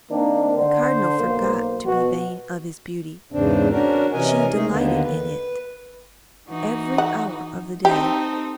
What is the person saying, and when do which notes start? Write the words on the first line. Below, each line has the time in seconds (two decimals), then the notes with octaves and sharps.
The Cardinal forgot to be vain of his beauty; she delighted in it every hour of the day.
0.11 D#3 A#3 C4 D4
0.57 D3 C5
1.19 B1 A#3
1.86 B2 F#4
3.32 E2 G#2 C#3 C4 D4
3.71 C#4 D4 F#4 A#4
4.13 C3 E3 C#4 A#4 D#5 G#5
4.53 A3 D#4 G#4
4.69 D#2 D3 D#3 A#3 B3
5.03 B4
6.48 E3 D#4 F#4
6.98 F#5
7.85 C4 D#4 G4 A4